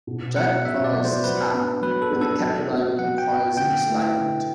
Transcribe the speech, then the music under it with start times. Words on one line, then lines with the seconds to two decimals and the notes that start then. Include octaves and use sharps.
Jake follows this up with a captivating closing statement.
0.07 B2
0.36 F#3 B3 F#5
0.65 B2 E5
0.84 D5
0.94 F#3 B3
1.05 C5
1.24 F#3 B4
1.53 B3 D4
1.82 F#3 B4
2.02 A4
2.11 B3 D4
2.21 A4
2.40 F#3
2.70 B3 F#4
2.99 F#3 F#5
3.18 G5
3.28 B3 F#4
3.57 D3 G5
3.87 A3 E4 B4
4.16 D3